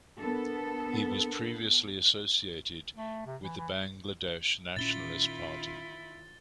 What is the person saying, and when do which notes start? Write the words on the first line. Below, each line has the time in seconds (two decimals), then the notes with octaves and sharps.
He was previously associated with the Bangladesh Nationalist Party.
0.19 B3 D4 A4 A#4
2.95 A3
3.26 C3
3.42 E3
3.58 E3
4.76 A#2 D#3 C4 C#4 E4 F4 A6 G7